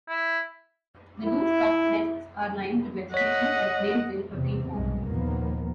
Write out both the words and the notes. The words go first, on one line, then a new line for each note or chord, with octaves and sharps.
The loose cup nests are lined with vegetation and placed in a tree fork.
E4
E4
C#5 D#5 F#5 B6
E2 C3
B1 G2 G#3
D#2 A#2 F3 A#3 B3